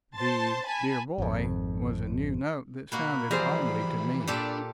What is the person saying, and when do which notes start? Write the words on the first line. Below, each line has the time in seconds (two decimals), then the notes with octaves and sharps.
The "dear boy" was a new note, that sounded oddly to me.
0.15 C5 A5 C6 A6
0.66 G#5 A5 B5
1.18 G#1 F2
2.92 B2 A#3 F#4 B5
3.31 E3 F3 G3 G#4 C5 A#5
4.27 A#2 D4 G4 A4